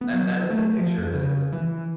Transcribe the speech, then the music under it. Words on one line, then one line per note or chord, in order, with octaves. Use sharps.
that that is the picture that is
B3
F#3
A3
F3
F2
C#3
E3